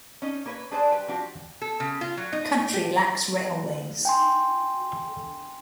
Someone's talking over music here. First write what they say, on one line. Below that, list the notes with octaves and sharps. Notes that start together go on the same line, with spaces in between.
The country lacks railways.
C#4 D#4
A#3 B4 C#5
D4 G#4 B4 C5 D5 A5
G3 B4 G5
F3 D4 F#4 G4
A4
C#3
F4
F#3
D#4
G4
G5 G#5 C6